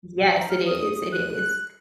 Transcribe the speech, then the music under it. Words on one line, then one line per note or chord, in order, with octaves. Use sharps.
Yes, it is, it is.
F#5
G#5
A#5
F6
D#6
F#6